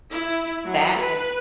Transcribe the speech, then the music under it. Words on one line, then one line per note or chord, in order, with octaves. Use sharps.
That and
E4
F#3
B4